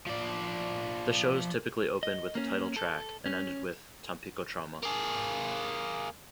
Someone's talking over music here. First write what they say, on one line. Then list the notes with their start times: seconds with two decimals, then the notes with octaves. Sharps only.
The shows typically opened with the title track and ended with "Tampico Trauma".
0.07 F3 D5
2.03 D#5
2.35 A#3 C#4
2.76 A4
3.26 C#4
4.83 A#3 G#4